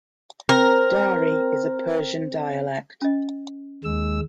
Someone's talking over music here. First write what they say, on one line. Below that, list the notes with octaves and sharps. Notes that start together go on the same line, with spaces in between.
Dari is a Persian dialect.
C4 A#4
C#4 D#5
D#2 G#3 E6